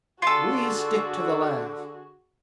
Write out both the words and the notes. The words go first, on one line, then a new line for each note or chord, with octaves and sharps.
We stick to the last.
D3 F4 F#4 G#4 A4